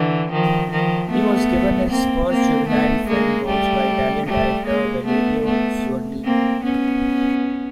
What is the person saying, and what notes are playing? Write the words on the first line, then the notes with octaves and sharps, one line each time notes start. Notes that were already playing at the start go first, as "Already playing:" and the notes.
He was given his first juvenile film roles by Italian director Valerio Zurlini.
Already playing: D3 E3
D#3 F3
D#3 F3
A3 B3
A#3 C4
A#3 C4
A3 B3
G#3 A#3
G3 A3
G3 A3
G#3 A#3
A3 B3
A3 B3
A#3 C4
B3 C#4